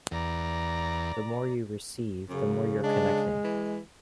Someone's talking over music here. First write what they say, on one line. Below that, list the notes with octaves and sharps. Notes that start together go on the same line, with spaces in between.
The more you receive, the more you're connecting.
E2 D5 A#5
F#2 C#3
G#3 D4
E3